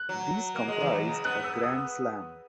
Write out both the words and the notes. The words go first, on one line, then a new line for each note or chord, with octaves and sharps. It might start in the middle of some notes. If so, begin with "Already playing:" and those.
These comprised a Grand Slam.
Already playing: F#6
F#3
A#3
G#3
E3
F#3
C#3
B3 F#6
E6
D#6